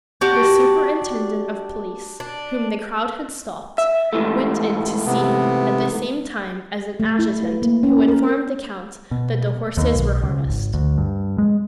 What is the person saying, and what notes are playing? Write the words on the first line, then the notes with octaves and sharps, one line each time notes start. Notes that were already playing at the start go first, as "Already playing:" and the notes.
The superintendent of police, whom the crowd had stopped, went in to see him at the same time as an adjutant who informed the count that the horses were harnessed.
D4 F#4 G4
D4
E5
G#2 E3 A3
C3 B3
A3
E4
B4
A#3
C#4
A#4
B2
D#2
B1
C#2
G#1
D2
G2
G#3